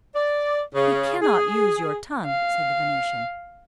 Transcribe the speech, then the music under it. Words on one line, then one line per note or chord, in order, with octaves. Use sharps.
"He cannot use your tongue," said the Venusian.
D5
C#3
G#4
F5